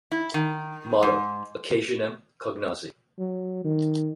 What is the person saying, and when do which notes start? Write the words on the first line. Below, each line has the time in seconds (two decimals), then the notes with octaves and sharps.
Motto: Occasionem Cognosce.
0.12 E4
0.34 D#3
1.03 G#2
3.19 F#3
3.64 D#3